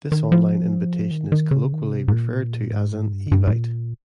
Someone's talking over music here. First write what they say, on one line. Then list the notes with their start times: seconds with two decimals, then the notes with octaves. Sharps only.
This online invitation is colloquially referred to as "an Evite".
0.12 D#3
0.32 F3
1.11 D#3
1.32 D#3
1.51 C#3
1.73 D#3
1.82 C#3
1.92 C3
2.08 G#2
2.12 A#2
2.72 G#2
3.12 G2
3.32 G2
3.47 G#2
3.52 A#2